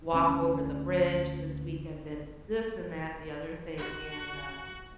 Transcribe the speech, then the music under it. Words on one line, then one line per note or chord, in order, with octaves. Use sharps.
walk over the bridge, this weekend, it's this, and that, and the other thing, and, uh
D2 C#4
F#4